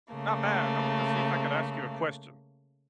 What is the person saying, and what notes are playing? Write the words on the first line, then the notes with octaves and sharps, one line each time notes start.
Not bad. I was gonna see if I could ask you a question.
C#3 A3 A#3